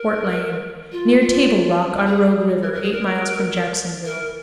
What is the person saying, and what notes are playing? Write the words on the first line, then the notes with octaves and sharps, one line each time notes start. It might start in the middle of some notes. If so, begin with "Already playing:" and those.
Fort Lane.--Near "Table Rock," on Rogue River, eight miles from Jacksonville.
Already playing: A#4
F4
F4
G#4
A#4
A#4
G#4
A#4
A#4